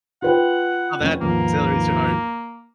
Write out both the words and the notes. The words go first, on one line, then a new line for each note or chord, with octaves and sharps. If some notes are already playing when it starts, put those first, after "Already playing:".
how that accelerates your heart.
F4 B4 F#5 G5
F1 C#4
D#2 G#2 F3 A#3